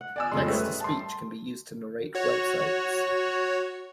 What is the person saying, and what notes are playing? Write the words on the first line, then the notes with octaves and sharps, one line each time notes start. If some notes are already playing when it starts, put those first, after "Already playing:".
Text to speech can be used to narrate websites.
F#5
D5 G#5 E6
F2 C#3 G#3 A4 C6
G3 A3 C#4 G#4 B4
G3
A5 C6
F#4 C#5